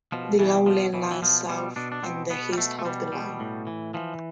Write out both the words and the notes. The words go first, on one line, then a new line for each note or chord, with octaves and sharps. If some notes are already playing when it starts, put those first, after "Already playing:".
The Lowlands lie south and east of the line.
B2 F3
B2 E3
B2 F3
B2 E3
E3
B2 F3
B2 G3
B2 D4
D4
B2 C4
B2 B3
G3
B2 A3
A3
B2 G3
B2
A2
E3
E3 F3